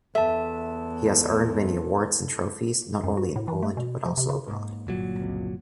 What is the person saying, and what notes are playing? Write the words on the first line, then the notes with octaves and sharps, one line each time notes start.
He has earned many awards and trophies, not only in Poland, but also abroad.
E2 A4 E5 A5
F#2
F#4
A2
E3
A3
B2
F3
C3
C#3
G#2 A#3
G1 A#2 F#3
C#2 C4